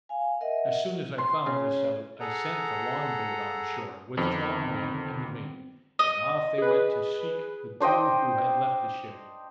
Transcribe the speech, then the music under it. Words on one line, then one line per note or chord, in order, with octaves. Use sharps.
As soon as I found this out, I sent the long-boat on shore, with twelve men and the mate, and off they went to seek the two who had left the ship.
F5 G#5
A#4 D#5 E5 F#5
C6
C#3
G#4 A4 F#5 A#5
F2 D3 D#3 B3 C4
D#5
G#4 B4
D4 C5 D#5 G5